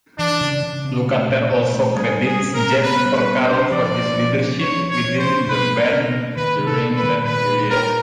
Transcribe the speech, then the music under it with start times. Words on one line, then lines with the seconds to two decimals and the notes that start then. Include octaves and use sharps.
Lukather also credits Jeff Porcaro for his leadership within the band during that period.
0.19 E3 D4
0.41 C#3
0.63 C#3
0.85 C4
1.07 A3
1.29 A#2
1.52 A#2
1.73 A3
1.95 G3 G#4
2.17 G3
2.25 G#4
2.39 C#4
2.54 A#4
2.62 C#4
2.83 B3 B4
3.05 G3
3.13 B4
3.27 B3
3.42 C5
3.50 D4
3.71 F3 D5
3.94 A#3
4.16 F3
4.38 C#4
4.60 F3 C#5
4.82 F3
4.90 C#5
5.04 F3
5.18 C5
5.27 D4
5.48 B2 B4
5.70 A#3
5.78 A#4
5.93 B2
6.14 A#3
6.36 D#3 B4
6.59 C3
6.66 A4
6.81 A#3
6.95 B4
7.03 D#3
7.25 A#2 B4
7.47 A#2
7.69 A#2 A#4